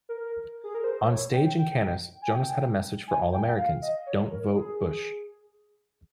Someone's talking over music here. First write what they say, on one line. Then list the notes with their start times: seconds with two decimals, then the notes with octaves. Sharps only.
On stage in Cannes, Jonas had a message for all Americans: "Don't vote Bush".
0.09 A#4
0.64 G#4
0.75 A#4
0.84 C5
1.08 C#5
1.33 G5
1.58 G5
2.22 G#5
2.32 G5
3.08 G#5
3.32 G5
3.57 F5
3.82 D#5
4.06 C#5
4.31 A#4
4.55 G#4